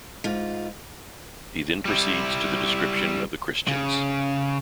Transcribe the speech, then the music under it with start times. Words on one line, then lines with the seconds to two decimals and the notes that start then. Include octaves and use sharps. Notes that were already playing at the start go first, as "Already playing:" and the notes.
He then proceeds to the description of the Christians.
0.24 G#2 F4
1.85 G3 E4
3.68 C#3